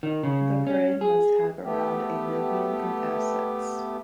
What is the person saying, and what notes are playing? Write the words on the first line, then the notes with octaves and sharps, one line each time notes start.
The parade must have around a million in assets.
D#3
C#3
C#4
G#4
A3 B3 G4